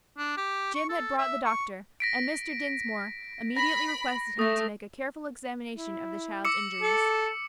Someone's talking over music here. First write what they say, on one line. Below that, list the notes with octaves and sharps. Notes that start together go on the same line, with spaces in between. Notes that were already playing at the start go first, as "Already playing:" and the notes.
Jim had brought the doctor, and Mr. Dinsmore immediately requested him to make a careful examination of the child's injuries.
D4
G4
C#6
A4
E5
C#6
A#6 B6 D7
B5 A#6
A3 D#6 A#6
E4
D6 E6 C#7
A4